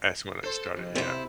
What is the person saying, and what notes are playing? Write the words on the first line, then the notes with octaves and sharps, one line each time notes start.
as when I started, yeah.
A4 C5
F2
C3 E4